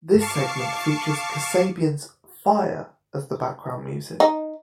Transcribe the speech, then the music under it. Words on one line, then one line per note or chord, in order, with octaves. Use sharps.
This segment features Kasabian's "Fire" as the background music.
F5 A5 C#6 D6 C7
D#4